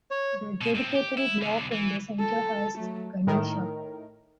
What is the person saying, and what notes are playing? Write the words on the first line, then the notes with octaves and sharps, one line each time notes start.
The dedicatory block in the centre has Ganesha.
C#5
B2
A2 C4
G4
E4
B1 D3
E3
A4
F#3 A3
A2 D#3 A#4